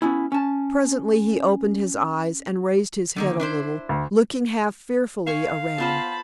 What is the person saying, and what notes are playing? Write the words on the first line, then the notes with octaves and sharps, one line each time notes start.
Presently he opened his eyes, and raised his head a little, looking half fearfully around.
B3 C#4 E4
C#4 A5
D3 D#3 A#3
D4 E4 C5
D2
C5 F5 G#5 C#6
B3 F4 C5 A5 B5